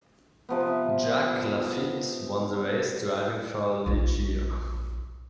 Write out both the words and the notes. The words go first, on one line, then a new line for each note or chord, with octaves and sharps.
Jacques Laffite won the race driving for Ligier.
C3 F3 B3
A#1 F4